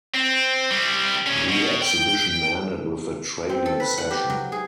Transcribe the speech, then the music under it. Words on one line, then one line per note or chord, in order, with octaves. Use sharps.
The exhibition ended with a trading session.
C4
G3 C4
A#2 C#4
B2
G5
C4
A4
B4
F#5
G4
F#3
G#4